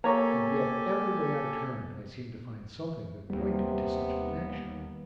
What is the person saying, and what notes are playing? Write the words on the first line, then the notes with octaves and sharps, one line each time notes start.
And yet, every way I turned I seemed to find something that pointed to such a connection.
A#3 G4 A4 C#5 G#5 A#5
D#2 C3 G3 B3